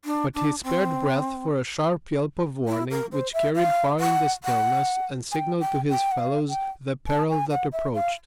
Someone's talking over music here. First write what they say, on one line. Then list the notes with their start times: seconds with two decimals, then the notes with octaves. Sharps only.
But he spared breath for a sharp yelp of warning, which carried far in the stillness and signaled to his fellows the peril that approached.
0.05 D4
0.35 D4
0.63 C4
2.68 E4
2.91 A#4
3.12 C5
3.34 E5
3.56 F5
4.00 F#5
4.44 F#5
5.32 G#5
5.36 G5
5.60 G5
5.90 G5
6.12 F#5
6.19 F5
6.49 G5
7.08 A5
7.30 G#5
7.51 F#5
7.72 E5
7.95 F5